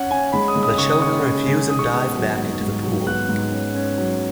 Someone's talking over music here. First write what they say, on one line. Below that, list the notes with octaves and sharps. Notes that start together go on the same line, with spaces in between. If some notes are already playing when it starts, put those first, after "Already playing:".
The children refuse and dive back in to the pool.
Already playing: C#4 F#5
C#4 G#5
G#3 B5
D#6
G#3
D#6
C#3 C#6
D#6
C#4 C#6
C#4
G#3
D#3 D#6
C#6
B3 D#6
F#3
G#2
G#2
F#3
B3 F#6
G#2
C#4
C#4
F#3